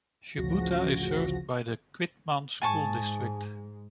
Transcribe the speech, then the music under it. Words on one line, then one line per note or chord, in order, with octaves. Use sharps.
Shubuta is served by the Quitman School District.
A1 D2 C#3 F3 F#4 A#6
G#2 G#3 G#5 A5 C#6